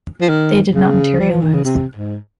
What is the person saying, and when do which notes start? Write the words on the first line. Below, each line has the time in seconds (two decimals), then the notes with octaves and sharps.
They did not materialize.
0.21 F3
0.29 D#3
0.75 C#3
1.19 G3
1.31 F3
1.43 D#3
1.54 C#3
1.65 C3
1.95 G#2